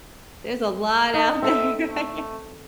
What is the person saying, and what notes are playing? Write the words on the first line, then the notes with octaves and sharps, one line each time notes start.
There's a lot out there, yeah.
D#4 D#5
C4 A4 E5
A3